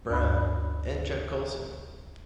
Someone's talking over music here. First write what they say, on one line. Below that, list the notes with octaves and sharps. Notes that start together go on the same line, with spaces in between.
Brown, and Chuck Colson.
D2 G2 D4 D5 F5 B5